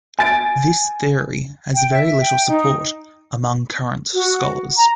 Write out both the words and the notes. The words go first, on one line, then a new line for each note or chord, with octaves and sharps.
This theory has very little support among current scholars.
G#5 A6 D7
G5
E5
G5
D#4
F#4
A#5